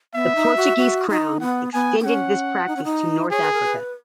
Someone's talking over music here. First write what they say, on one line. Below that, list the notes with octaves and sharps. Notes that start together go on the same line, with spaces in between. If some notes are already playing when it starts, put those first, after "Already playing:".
The Portuguese crown extended this practice to North Africa.
B3 E5
D#4
F#4
F#4
D#4
B3 F#5
B3 G#5
B3
C#4 F#5
D#4
C#4
D#4
G#4 C#5
B4
A#4
B4